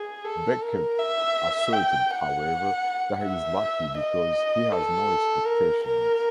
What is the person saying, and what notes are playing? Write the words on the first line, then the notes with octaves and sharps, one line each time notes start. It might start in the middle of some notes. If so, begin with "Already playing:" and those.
Beckett asserted, however, that he is lucky because he has "no expectations".
Already playing: G#4
A4
A#4
E5
G5
F#5
E5
D#5
A4
A#4
A#4